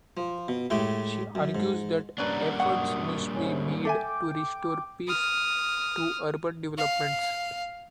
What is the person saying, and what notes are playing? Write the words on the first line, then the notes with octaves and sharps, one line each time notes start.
She argues that efforts must be made to restore peace through urban developments.
F3
B2
A2 G#3 A3 G4
F#2
G#2
G3 A#3 C#4 D4 A#4 B4 D5 F#5
F#2 F#5 C#6 D#6
G#2 C3 C#4
A4 E5 G5 G#5 D6
D#6 F6
F5